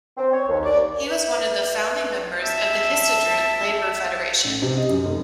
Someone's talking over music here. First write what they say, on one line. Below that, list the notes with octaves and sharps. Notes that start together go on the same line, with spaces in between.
He was one of the founding members of the Histadrut labor federation.
C4
C#5
D#2
D5
B4 E5
E5 A5
A1
C3
D#5
F#2
F1